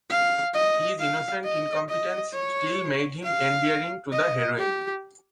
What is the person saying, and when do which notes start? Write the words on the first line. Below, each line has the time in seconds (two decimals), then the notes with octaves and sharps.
His innocent incompetence still made him endearing to the heroine.
0.10 F5
0.54 D#5
0.99 F5
1.44 D#5
1.89 D#5
2.34 C#5
3.23 F5
4.13 D#5
4.58 G4